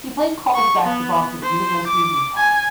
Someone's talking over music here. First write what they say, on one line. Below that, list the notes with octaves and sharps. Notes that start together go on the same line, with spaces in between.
He played college basketball for the University of Utah.
C#6
B3
C5
D6
G#5